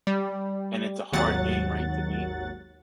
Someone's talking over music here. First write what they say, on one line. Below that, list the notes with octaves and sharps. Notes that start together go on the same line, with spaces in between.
And it's a hard game, right, to beat?
G3
G#1 D#2 F#3 F#5 A6